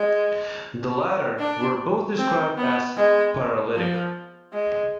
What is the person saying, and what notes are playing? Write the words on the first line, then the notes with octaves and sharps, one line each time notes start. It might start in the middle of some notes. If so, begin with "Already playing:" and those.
The latter were both described as "paralytic".
Already playing: G#3
D4
C4
B3
G#3
F3
G#3